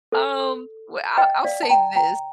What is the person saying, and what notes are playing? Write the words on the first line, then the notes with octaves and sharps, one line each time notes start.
Um, well, I I'll say this
A4
D#5 G5
D5 F5
A5
G5 A#5
G5 A#5